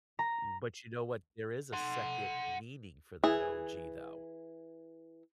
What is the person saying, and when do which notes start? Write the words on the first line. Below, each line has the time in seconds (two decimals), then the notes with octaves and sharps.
But you know what? There is a second meaning for that OG, though.
0.19 A#5
1.73 F#5 C6
3.24 E3 G#4